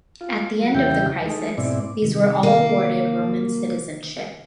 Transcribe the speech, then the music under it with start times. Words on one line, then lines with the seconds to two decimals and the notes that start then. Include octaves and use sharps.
At the end of the crisis, these were all awarded Roman citizenship.
0.21 F4
0.61 F#3
0.75 E2 C#3 E4 G4 G5
1.26 G#3 A3 D#4
1.58 G#2 B2 C4 E4 D5
2.02 C3 D#3
2.43 D#3 A#3 F5